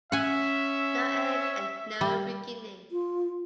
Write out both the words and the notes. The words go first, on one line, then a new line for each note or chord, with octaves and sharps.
No end and no beginning.
C#4 E5 F#5 G#5
G3
F4